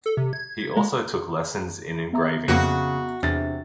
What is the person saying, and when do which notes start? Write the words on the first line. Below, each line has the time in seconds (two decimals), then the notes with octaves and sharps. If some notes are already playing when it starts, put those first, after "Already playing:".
He also took lessons in engraving.
0.06 A4
0.17 C3
0.33 G#6
0.76 G#3
2.13 B3 E5 A#5
2.48 F2 C#3 A#3 F#4
3.23 E2 C3 D4 A6